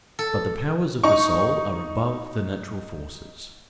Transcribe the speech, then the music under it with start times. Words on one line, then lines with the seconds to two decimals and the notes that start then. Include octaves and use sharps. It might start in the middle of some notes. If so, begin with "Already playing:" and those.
But the powers of the soul are above the natural forces.
0.19 A4
1.04 D#4 C#6